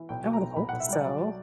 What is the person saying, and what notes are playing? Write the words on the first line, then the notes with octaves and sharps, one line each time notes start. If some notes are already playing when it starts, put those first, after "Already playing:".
I would hope so.
Already playing: E3
B1 G5
B2
A#5
B1
B1 B5
B1 F#5
E5
G3 D5
F#3
F#3